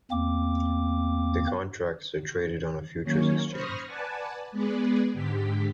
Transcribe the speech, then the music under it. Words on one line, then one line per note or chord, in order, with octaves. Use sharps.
The contracts are traded on a futures exchange.
E2 A#3 C4 D6
D#3 F#3 A#3 C#4 C#5
C5 B5 C#6 D#6 F6 A#6
B4 D5 F#5 G#5 A5
G#3 B3 G#4 B4 D5
G#2 D3 G4 B6